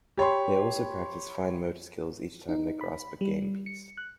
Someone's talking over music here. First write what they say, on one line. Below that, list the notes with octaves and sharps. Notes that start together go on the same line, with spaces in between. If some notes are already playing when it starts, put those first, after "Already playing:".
They also practice fine motor skills each time they grasp a game piece.
G4 C#5 B5 C6
D#4
B5
G3
C#7
F#6